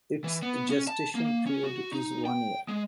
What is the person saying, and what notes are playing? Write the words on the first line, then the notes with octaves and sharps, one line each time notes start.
Its gestation period is one year.
E3
B3
C#4
A5
A#3
C#4
F#4
D#4
G5
G#3